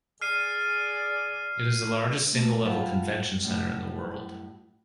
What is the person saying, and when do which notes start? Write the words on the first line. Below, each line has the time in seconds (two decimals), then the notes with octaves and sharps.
It is the largest single-level convention center in the world.
0.22 G#4 D5 F6 C7 D#7
2.33 A3 A#3
2.65 F#3 F4 G4 B4 A5
3.42 F#2 A2 G3